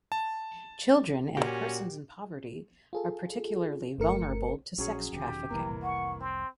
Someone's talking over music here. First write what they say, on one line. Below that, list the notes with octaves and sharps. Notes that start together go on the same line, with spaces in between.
Children and persons in poverty are particularly vulnerable to sex trafficking.
A5
A#2 C#4 F#4 G4
F4 G#4 A4
G1 A3 A#4 C#7
A#1 F#3 C#4 G#4 C#5
E1 D#3 G4
F1 C2 E3 A#3 A#5
F#5 C#6
C4 C6